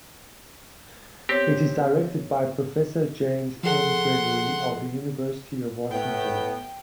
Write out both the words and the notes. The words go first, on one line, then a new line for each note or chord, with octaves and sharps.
It is directed by Professor James N. Gregory of the University of Washington.
B3 C4 G4 C#5
F3 G#4 A4 F#5 C6
A2 B3 G5